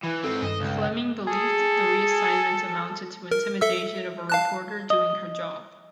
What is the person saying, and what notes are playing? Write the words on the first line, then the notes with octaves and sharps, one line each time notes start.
Fleming believed the reassignment amounted to intimidation of a reporter doing her job.
E3 B4
G#2 C4 A4
G2 D#3 D#5 E7
C#2
E7
G#4 A4
A#4
A4 E5 E6
F5 A5 F#6
D#5